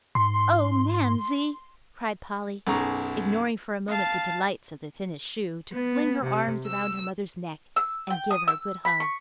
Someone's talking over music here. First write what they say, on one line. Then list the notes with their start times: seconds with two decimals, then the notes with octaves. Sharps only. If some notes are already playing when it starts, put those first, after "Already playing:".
"Oh, mamsie!" cried Polly, ignoring for a moment the delights of the finished shoe to fling her arms around her mother's neck and give her a good hug.
0.15 G#2 C6
2.67 B1 F#2 G#4 A#5 C#6
3.89 F5 A5
5.72 B3
6.22 C3
6.65 E6
7.76 E6
8.10 G5
8.31 D#6
8.48 E6
8.85 B5
9.00 C#6